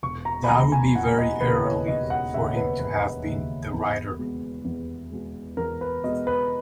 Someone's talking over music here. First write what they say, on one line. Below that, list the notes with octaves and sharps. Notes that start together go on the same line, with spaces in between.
That would be very early for him to have been the writer.
E1 C#6
A#5
B5
D#2 C#3 A#5
G#5
E1 F#5
D#5
D#2 C#3 B4
C#5
E1 D#5
F#5
D#2 C#3 E5
B4
E1 B4
D#2 C#3
E2
B2 G#3
E2
B2 G#3
E2 A#4
B4
B2 G#3 D#5
B4